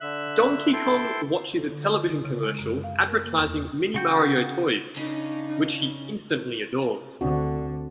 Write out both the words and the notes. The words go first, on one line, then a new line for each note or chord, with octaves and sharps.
Donkey Kong watches a television commercial advertising Mini-Mario toys, which he instantly adores.
D3 E5 F#6
E4 A4 G5 C6
A4
D3
D#5
E4
C#3
G#3
F#2
F5
A#4
A#3
E2
C#3 F#4 G5
C#3 D4 D#4
D2 D3 C4 D4 F#4